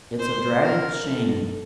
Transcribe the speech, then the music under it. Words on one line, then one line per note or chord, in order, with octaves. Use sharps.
It's a dratted shame!
C5
A#4
A4